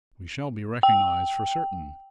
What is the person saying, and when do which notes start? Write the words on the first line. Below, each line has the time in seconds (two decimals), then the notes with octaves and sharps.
We shall be recognized for certain!
0.83 G5